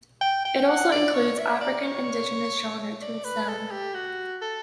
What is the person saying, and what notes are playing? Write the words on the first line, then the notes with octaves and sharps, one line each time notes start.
It also includes African Indigenous Genre to its sound.
G5
G5
F#5
D5
C#5
E5
D5
C#5
D5
B4
A4
G4
F#4
A4